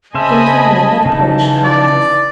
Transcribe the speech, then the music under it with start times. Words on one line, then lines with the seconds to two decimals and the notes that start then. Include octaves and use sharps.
Don't you remember the Polish Countess?
0.15 C#3 C5 D#5 E5 G#5 A5 B5
1.05 C#3 E3 D#4
1.64 D5